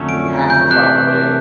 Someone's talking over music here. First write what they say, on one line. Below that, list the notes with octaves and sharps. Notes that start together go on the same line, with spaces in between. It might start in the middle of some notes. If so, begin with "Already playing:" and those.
we have to find a way
Already playing: F2 D3 F#3 A3 C#4
D7
G6
C3 E3 A3 D4 F#6